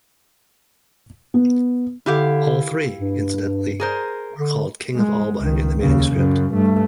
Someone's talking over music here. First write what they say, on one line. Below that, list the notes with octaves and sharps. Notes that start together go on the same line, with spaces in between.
All three, incidentally, are called "King of Alba" in the manuscript.
B3
D3 E4 G4 F5
G2
G#4 A#4 C5
D3
G#3
C#2 D#3
D#2 C#3
F#2 C#3
G2 A3